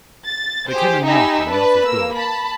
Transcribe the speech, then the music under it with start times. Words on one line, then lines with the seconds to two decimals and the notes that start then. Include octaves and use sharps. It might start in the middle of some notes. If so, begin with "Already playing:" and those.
There came a knock on the office door.
0.25 A6
0.70 G4 G#4 C5
1.05 D#4 G4 E5 G#5 B5 E6
1.49 D4 B4 A5
1.84 A#3 E6
2.14 A5 B5